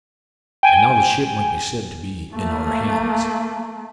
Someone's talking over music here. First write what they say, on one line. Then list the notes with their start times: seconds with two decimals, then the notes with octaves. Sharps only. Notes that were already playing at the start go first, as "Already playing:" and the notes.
And now the ship might be said to be in our hands.
0.63 G5 G#5
2.33 A3 A#3